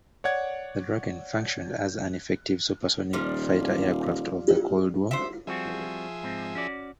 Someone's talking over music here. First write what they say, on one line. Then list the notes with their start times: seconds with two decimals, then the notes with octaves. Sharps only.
The Draken functioned as an effective supersonic fighter aircraft of the Cold War period.
0.24 C#5 D5 F#5 G#6
3.13 D#1 F3 G3
5.11 C5 E5
5.47 F3 G3 C4 F#4 G#4 E5
6.23 G#2 C4
6.55 C#4 F#4 D5